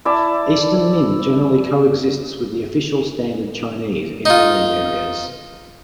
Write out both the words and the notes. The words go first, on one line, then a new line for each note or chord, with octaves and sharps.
Eastern Min generally coexists with the official standard Chinese in all these areas.
E4 D5 A5
D#4 F4